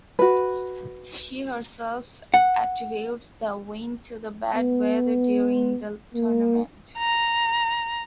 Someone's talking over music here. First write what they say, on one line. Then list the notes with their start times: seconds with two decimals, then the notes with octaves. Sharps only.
She herself attributes the win to the bad weather during the tournament.
0.19 F#4 B4
2.34 F#5
4.55 B3
6.15 A#3
6.98 A#5